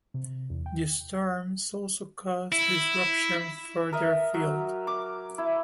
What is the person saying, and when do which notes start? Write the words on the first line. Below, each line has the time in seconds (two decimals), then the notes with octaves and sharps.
The storms also caused disruption further afield.
0.14 C3
0.50 E2
0.66 G5
2.52 E4
3.93 A#4 D#5 E5
4.34 F#3
4.87 D6
5.38 E4